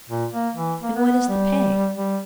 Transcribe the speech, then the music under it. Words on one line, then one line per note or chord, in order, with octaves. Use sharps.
"And what is the pay?"
A#2
A#3
E3
A#3
B3
G3
G3